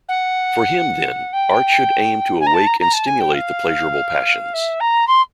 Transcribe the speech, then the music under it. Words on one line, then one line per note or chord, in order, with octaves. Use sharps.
For him, then, art should aim to awake and stimulate the pleasurable passions.
F#5
G5
G#5
A#5
A5
A#5
A#5
A5
G#5
G5
F5
E5
A#5
C6